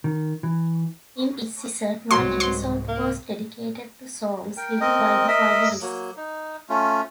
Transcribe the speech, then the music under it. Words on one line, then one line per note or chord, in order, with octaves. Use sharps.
In each season, one episode was dedicated to songs written by the finalists.
D#3
E3
C2 G#2 F#3 C6
C6
A#3
A#4 G5
C4 A#4 D#5
A#4 D#5 E5
F#3 A#3
D#4
A3 C#4 F4